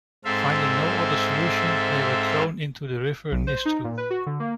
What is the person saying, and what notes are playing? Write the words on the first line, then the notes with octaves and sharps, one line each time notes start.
Finding no other solution, they were thrown into the river Nistru.
G#2 C4 A4 E5 F5
B1
C5
D#4
A#2
B4
F#4
D3
A#3